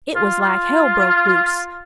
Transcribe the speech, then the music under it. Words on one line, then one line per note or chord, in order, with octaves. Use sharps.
It was like hell broke loose.
F4
F4